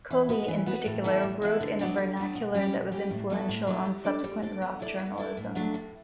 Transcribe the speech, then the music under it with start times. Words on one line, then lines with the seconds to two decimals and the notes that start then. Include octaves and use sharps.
Coley in particular wrote in a vernacular that was influential on subsequent rock journalism.
0.10 E3
0.29 B3 F#4 B4
0.48 E3
0.66 B3 F#4 B4
0.86 A2
1.04 E3 B3 E4 A4
1.23 A2
1.42 E3 B3 E4 A4
1.61 D3
1.79 F#3 B3 D4
1.98 D3
2.17 F#3 B3 D4
2.35 B2
2.54 G3 C#4 G4
2.74 B2
2.92 G3 C#4 G4
3.11 A2
3.30 F#3 B3 E4 A4
3.49 A2
3.67 F#3 B3 E4 A4
3.86 G3
4.05 D4 A4 D5
4.24 G3
4.42 D4 A4 D5
4.61 B3
4.80 E4 A4 D5
4.99 B3
5.17 E4 A4 D5
5.37 A2
5.55 F#3 A3 D4 A4
5.74 A2